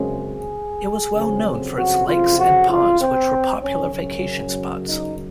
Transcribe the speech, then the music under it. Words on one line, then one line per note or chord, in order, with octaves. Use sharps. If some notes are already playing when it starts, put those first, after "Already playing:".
It was well known for its lakes and ponds, which were popular vacation spots.
Already playing: F#2 C#3 G#3 C4
G#4
F2 C#3 F#3 C4
F#4
F4
F#4
F4
C4
F#2 C#3 F#3 C#4
C#4
D#4